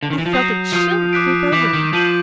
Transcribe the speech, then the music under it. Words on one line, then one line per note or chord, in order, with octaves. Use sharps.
I felt a chill creep over me.
D3
D#3
E3
F3
F#3 D#6 G6 C7 D#7
F3 D#6 G6 C7 D#7
D6 F#6 B6 D7
E3 D6 F#6 B6 D7
D#3
F3 G6 B6 D#7 F#7